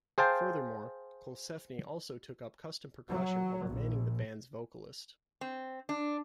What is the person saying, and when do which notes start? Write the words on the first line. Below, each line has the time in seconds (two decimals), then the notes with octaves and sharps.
Furthermore, Colsefni also took up custom percussion while remaining the band's vocalist.
0.18 G#4 C5 F5 G5 A5
3.09 F#3
3.67 A#1
5.41 C4
5.89 D4